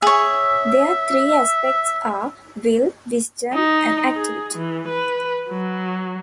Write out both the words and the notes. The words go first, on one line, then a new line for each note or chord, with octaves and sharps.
Their three aspects are "Will", "Wisdom" and "Activity".
G#4 C#5 E5
D#4
G#4
E3
B4
F#3